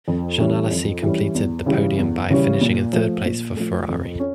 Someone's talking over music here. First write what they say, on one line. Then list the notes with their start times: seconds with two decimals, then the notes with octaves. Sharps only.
Jean Alesi completed the podium by finishing in third place for Ferrari.
0.08 F2
0.39 E3 G3 C#4
0.70 F2
1.02 E3 G3 C#4
1.34 E2
1.66 C#3 E3 G3 C#4
1.98 E2
2.30 C#3 E3 G3 C#4
2.61 A#2
2.93 F3 A3
3.25 A#2
3.56 F3 A3
3.88 F2
4.20 C#4